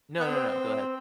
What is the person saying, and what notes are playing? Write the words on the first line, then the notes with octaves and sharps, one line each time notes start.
No, no, no, go ahead.
B3
C4